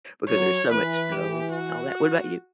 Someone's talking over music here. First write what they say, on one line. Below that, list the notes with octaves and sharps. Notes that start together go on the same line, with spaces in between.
because there's so much snow and all that, what about you?
F#3 C#5
E3 B4
G4
F#4